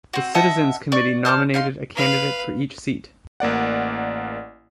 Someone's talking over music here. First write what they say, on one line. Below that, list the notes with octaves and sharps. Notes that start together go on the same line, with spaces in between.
The Citizens' Committee nominated a candidate for each seat.
C4 F#4
D#5 E5 F#5 A5
D5 C#6
C5 A5 D6 F6
D#4 F5 C6
B4 F5
A1 A#3 D5 F#5